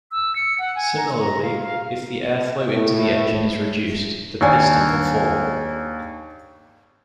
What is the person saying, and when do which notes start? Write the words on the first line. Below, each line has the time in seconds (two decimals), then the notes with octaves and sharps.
Similarly if the airflow into the engine is reduced, the piston will fall.
0.11 E6
0.36 C#7
0.58 F#5
0.75 G#5
0.97 A#5
1.18 A#5
1.43 F5
1.60 F5
2.70 A2
4.41 D#2 D4 G#5